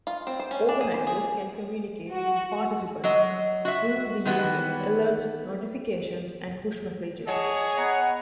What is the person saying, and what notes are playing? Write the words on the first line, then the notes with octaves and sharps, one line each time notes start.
Organisers can communicate with participants through the use of alerts, notifications, and push messages.
F4
C4
C5
C#4
D4
G#4
C5
G#4
F#4
F#3 D#5
F#4 E5
D#3 E3 B3 F#4
G#4 C#5 D#5 F#5 A5
B3 D#5 F#5 A#5